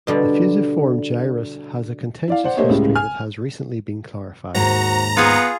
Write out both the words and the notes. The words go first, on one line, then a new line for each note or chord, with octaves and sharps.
The fusiform gyrus has a contentious history that has recently been clarified.
B2 D3 G3
E4 D5 F5
C5 D5 F#5
A3 A#3 G4 C5 C#5 D#5
C#2 A2 C#3 G3 G#3
G#5 F6
D#2 G#2 F#4 C5 A#5
B3 F4 G#4